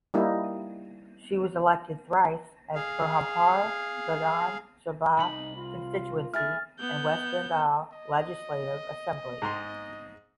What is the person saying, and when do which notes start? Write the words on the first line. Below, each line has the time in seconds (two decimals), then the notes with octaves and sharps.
She was elected thrice as Berhampore Vidhan Sabha Constituency in West Bengal Legislative Assembly.
0.14 G3 A#3 D#4 E4
2.75 G#4 F5
5.18 C2 D#4 B5
5.57 F4
6.34 E4 G#4 G#5 F6 A6
6.80 B3 G6
7.92 D#5
9.42 G#2 A#5 C6